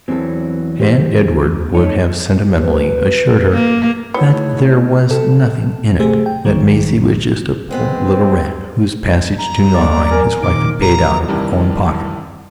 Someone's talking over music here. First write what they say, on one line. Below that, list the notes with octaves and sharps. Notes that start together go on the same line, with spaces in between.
And Edward would have sentimentally assured her that there was nothing in it; that Maisie was just a poor little rat whose passage to Nauheim his wife had paid out of her own pocket.
E2 E3 F#3 C4 A4
G4 C5
A3 D#4 C#5
B4
A#3
A3 B3 D#4 E4 F#4 G#4 C#5
C3 A4
C3 A3 G4 G#4 C5
G5
A#1 F#2 D#3 F#3 G3
G#3 B3 C4 C5
A#5
F#2 A4 D5
A#4 G#5
A#2 D#3 D6
F2 A#5
G2 C3 D#3 E3 G3